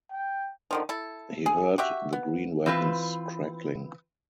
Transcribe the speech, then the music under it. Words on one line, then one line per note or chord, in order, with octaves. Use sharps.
He heard the green weapons crackling.
G5
D3 D#3 F3
E4 A4
G#4
F#4 G4 E5
B3
E3 C4 F4 B4